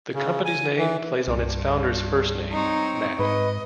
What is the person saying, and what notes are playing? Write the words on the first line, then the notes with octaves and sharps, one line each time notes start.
The company's name plays on its founder's first name, Matt.
C#3
G#5
E3
C2 G2
C4 D#4 C#5
G#2 B4 D#5